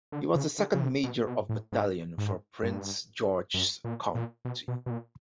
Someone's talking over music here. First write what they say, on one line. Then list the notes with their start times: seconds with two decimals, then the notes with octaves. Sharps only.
He was the "second major of battalion" for Prince George's County.
0.12 D3
0.35 C#3
0.58 D3
0.74 C#3
0.81 C3
1.04 B2
1.27 B2
1.49 A2
1.72 G#2
2.18 G#2
2.63 G2
3.54 F#2
3.85 A#2
4.15 A#2
4.45 B2
4.68 B2
4.86 B2
4.91 A#2